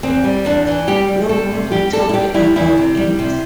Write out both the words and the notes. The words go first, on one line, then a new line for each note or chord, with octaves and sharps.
Nobody talked about it.
E2 C4
G3
E2 D4
E3
G3 G4
G3
G3 A4
C3
G3 G4
G3 A4
E4
G3 G4
G3 E4
E2 E4
C3
G3
C3